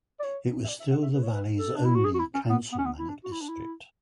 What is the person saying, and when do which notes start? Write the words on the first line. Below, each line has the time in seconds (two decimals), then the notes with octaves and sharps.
It was still the Valley's only councilmanic district.
0.20 D5
0.24 C#5
0.64 E5
0.69 D5
0.80 E5
0.91 F#5
1.02 E5
1.14 B4
1.23 C#5
1.32 B4
1.59 A4
1.76 D4
1.85 E4
1.95 F#4
2.05 G#4
2.14 F#4
2.19 E4
2.34 C#4
2.49 B3
2.72 B3
2.78 C#4
2.85 B3
2.99 E4
3.09 D4
3.24 F#4
3.32 E4
3.41 D4
3.49 E4